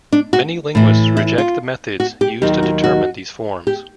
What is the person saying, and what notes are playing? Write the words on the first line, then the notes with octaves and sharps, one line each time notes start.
Many linguists reject the methods used to determine these forms.
D4
F#4
A2 E3
E4
F4
F#4
G4
D#2 D#3 F#3 G4
F#4
F#4
G4